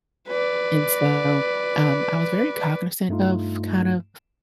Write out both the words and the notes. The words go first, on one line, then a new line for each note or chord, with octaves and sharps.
and so, um, I was very cognizant of kind of
B4 D5
G2 A3 D#4 F4